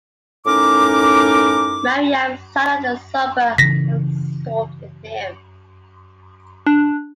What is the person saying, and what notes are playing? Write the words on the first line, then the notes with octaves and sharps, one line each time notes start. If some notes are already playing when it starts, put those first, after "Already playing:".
Miriam sat on the sofa absorbed in him.
A2 C#4 D#4 A#4 D6
C#3 E3 A#6 B6
D4